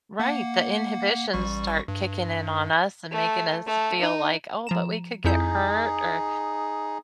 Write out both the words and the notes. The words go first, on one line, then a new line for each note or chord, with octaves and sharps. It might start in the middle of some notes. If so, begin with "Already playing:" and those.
Right, the inhibitions start kicking in on us, and making us feel like, "Oh, but we could get hurt, or"
A#3 F#5
A1 G3 C#6
G2
A3
A3
D#4
F3 A#5 E7
F2 D#4 E4 G#4 G6